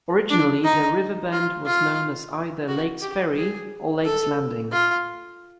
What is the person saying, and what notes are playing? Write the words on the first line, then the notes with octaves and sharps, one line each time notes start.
Originally, the river bend was known as either Lake's Ferry or Lake's Landing.
D4
D#4
F4
F4
F#4
G4
G#4
A4
F4